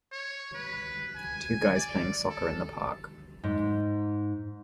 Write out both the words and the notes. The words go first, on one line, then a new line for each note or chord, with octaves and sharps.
Two guys playing soccer in the park.
C#5
B4
G#5
D5
A4
G#2